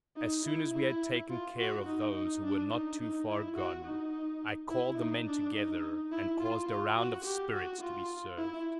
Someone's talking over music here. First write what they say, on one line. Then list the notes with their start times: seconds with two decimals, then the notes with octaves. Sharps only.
As soon as we had taken care of those who were not too far gone, I called the men together and caused a round of spirits to be served.
0.17 D#4
0.45 E4
0.74 E4
1.30 F4
1.59 F#4
1.87 D#4
2.15 D#4
2.44 D4
2.71 D#4
3.00 D#4
3.28 E4
3.56 F#4
3.85 D#4
4.70 E4
4.98 D#4
5.27 D4
5.55 D#4
6.12 E4
6.40 F4
6.69 F4
6.97 F#4
7.25 G4
7.53 F#4
7.81 F4
8.38 E4